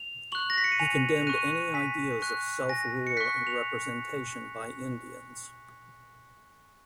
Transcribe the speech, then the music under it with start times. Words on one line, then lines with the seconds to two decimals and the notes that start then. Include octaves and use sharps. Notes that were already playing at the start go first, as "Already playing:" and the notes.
He condemned any ideas of self-rule and representation by Indians.
Already playing: F7
0.32 C#6 F#6 F#7
0.50 A#6
0.58 B6
0.64 C#7
0.72 D#7
0.79 G#5 F7
1.17 F7
1.27 C#6 F#6 D#7
1.74 G#5 B6
2.22 C#6 F#6
2.69 G#5 A#6
3.07 C#7
3.17 C#6 F#6 B6
3.47 F7